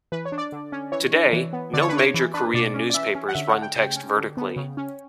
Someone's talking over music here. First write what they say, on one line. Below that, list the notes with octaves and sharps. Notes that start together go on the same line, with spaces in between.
Today, no major Korean newspapers run text vertically.
E3 B4
C#5
D4
D5
D3
C#4
E3 C#5
D4
E3
B3
D3 D5
C#5
B4
D4 C#5
E3
D4 B4
B2 D5
C#4
D5
E3 E5
C#4
F#5
D3 E5
F#5
A3
G5
C#3 G5
C#4
D3
B3
C#3
C#4